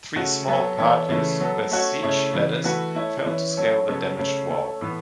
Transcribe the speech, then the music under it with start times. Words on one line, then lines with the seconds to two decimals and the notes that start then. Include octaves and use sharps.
Three small parties with siege ladders failed to scale the damaged wall.
0.16 C#3 A3 F#4
0.47 F#3 B3 A4 C#5
0.78 E3 B3 E4 A4 C#5
1.09 C#3 E3 A3 C#4
1.40 F#3 B3 A4
1.71 A3 C#4 F#4 C#5
2.03 C#3 A3 E4 C#5
2.33 C#3 E3 B3
2.64 E3 A3 F#4 B4
2.95 A3 E4 C#5
3.26 E3 C#4 E4 B4
3.57 F#3 C#4 A4 C#5
3.88 C#3 F#3 B3 A4 C#5
4.19 C#3 A3 C#4
4.50 A3 C#4 A4
4.81 A2 E3 B3